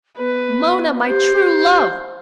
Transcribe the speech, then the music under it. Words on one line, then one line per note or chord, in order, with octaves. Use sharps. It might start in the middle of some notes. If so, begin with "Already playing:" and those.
Mona, my true love.
B3 B4
G4 C5